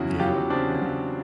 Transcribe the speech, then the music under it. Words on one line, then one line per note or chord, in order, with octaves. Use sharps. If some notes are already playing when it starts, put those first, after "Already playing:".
Yeah. Yeah.
Already playing: E2 C#3 E4 F#4
F#3 F4 G4
C#3 C4 D4
F#3